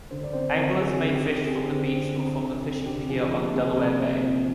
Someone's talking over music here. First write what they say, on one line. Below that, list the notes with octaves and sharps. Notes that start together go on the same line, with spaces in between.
Anglers may fish from the beach or from the fishing pier on Delaware Bay.
D3 C5
D5
C4 C5
D3 A#4
C4 G#4
D3
G4
D3
C4 G#4
D3
C4
C4
D3
D3
C3 G4
F3 G#4
A#3 G4
C3 G#4
A#3
C3
F3